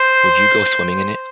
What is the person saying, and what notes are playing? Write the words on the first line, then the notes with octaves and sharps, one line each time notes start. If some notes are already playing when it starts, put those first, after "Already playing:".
would you go swimming in it?
Already playing: C5